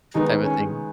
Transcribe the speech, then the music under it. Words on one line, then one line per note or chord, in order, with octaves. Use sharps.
type of thing.
D#3 G#3 B3 D#4
C#4